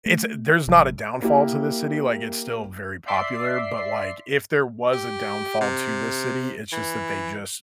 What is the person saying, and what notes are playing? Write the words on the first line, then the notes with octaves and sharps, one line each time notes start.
it's there's not a downfall to this city. Like, it's still very popular. But, like, if there was a downfall to this city, it's just that they just
A3
G#1 C3 F#3
A#3 E4 G4 A#4
D5 E5 C6 B6 C7
G4
C3
E3